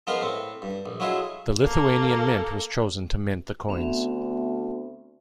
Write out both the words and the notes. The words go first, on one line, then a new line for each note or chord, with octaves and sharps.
The Lithuanian Mint was chosen to mint the coins.
F3 G#3 B3 F4 A#4 C6
A2 C4
G2
A#1
F#3 G#3 E4 F4 G#4 A4
A#3 A4
D2 B3 C4 E5